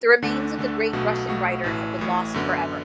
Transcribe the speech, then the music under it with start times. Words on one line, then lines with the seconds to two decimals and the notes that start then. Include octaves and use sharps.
The remains of the great Russian writer have been lost forever.
0.22 D2 D3 A3 D4 A4
0.57 D2 D3 A3 D4 A4
0.93 B1 B2 A3 F#4
1.28 B1 B2 A3 F#4
1.64 A1 A2 E3
1.98 A1 A2 E3
2.34 F#2 D3 B3